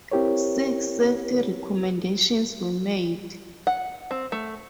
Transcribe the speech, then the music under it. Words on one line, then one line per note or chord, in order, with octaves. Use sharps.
Six safety recommendations were made.
C4 E4 G4 A#4 C#5
F#5
C4
A3